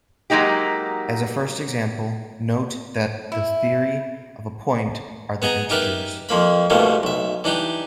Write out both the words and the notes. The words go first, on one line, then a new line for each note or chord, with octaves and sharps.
As a first example, note that the -theory of a point are the integers.
F#3 G#3 A#3 D#4 G4
E4
B3 G#4 D#5 A#5
D#4 G4 A#4 B4 E5
F2 F3 A#3 B5
C2 G2 B2 G3 A3 A#3
B1 E5
E3 D4 D#4 G4